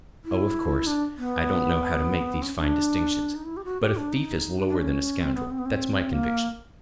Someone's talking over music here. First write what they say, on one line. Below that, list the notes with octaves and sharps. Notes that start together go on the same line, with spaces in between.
Oh, of course, I don't know how to make these fine distinctions ... but a thief is lower than a scoundrel, that's my conviction.
E4
D4
B3
C#4
D4
D#4
E4
G4
F#4
G4
D4
D#4
D4
D4
C#4
C4
B3
C4
B3
C4
A#3